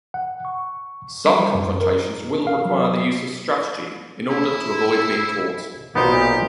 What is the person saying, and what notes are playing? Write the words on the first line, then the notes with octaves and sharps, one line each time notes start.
Some confrontations will require the use of strategy in order to avoid being caught.
F#5
C#6
G3
F#2
A#4
F5
F#3
E4
B1 A#2 B3 D#4 G4 C5